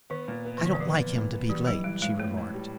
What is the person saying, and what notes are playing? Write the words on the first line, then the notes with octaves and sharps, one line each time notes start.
"I don't like him to be late," she remarked.
D#3 B3
A#2
B3
D3
A#2 D#3
E3
F3 B3
B3
A#2
B3
E3 G3
E3 F#3
E3 G3
A2 G#3
A2 A3
A2
G3